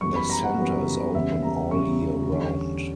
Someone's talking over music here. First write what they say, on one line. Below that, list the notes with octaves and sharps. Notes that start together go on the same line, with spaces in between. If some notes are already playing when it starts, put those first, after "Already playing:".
The centre is open all year round.
F#2 E3 G3 B3 C#6
B5
A#5
F#5
F#2 E3 G3 B3
E2 C#3 G3 B3 E5
A#5
E2 C#3 G3 B3 C#6
E2 D3 G3 C#4